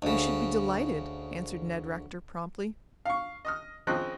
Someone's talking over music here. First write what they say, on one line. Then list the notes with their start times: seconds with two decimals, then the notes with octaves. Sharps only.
"We should be delighted," answered Ned Rector promptly.
0.02 D2 C#3
3.05 F5 C#6
3.45 D#5 D#6 F6
3.87 C#3 F3 C4 D#5 F#6